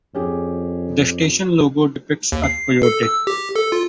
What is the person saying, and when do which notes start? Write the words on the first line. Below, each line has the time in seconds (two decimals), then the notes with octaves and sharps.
The station logo depicts a coyote.
0.14 F2 C#4 G4 G#4
2.32 D#2
2.44 C7
2.83 A4
3.03 E6
3.27 G4
3.56 A4
3.72 F4